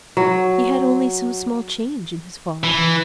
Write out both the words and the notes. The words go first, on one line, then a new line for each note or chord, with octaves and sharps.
He had only some small change in his fob.
F#3
E3